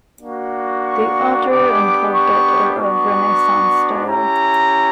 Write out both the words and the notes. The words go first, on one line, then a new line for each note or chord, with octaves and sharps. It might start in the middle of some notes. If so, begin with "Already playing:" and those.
The altar and pulpit are of Renaissance style.
A#3 D4 F#4
C#6
B3 D4 G4 D6
C#6
B3 D4 F#4 C#6
C#4 E4 G4 A#5